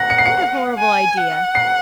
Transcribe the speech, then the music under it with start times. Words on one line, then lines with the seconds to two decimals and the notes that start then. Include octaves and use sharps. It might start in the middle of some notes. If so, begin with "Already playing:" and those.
What a horrible idea!
Already playing: F#5 A#6
0.10 C#7
0.18 C7
0.26 C#7
0.78 G#5
1.17 F#5
1.55 C7